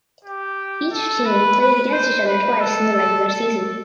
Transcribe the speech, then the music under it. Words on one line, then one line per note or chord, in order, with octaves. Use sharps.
Each team played against each other twice in the regular season.
G4
A4
B4
B4
C5
B4
A4
A4
A4